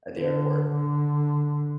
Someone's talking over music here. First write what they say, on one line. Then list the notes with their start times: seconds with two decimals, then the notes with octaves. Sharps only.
at the airport,
0.17 D3
0.70 D3